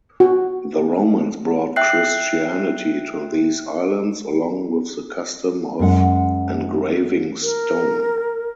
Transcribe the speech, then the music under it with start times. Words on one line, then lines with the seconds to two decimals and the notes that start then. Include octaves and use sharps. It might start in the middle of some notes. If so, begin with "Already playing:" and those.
The Romans brought Christianity to these islands, along with the custom of engraving stone.
0.20 F#4
1.76 E5 G5 F#6 C7
5.79 F#2 G#3 F#5
7.43 A#4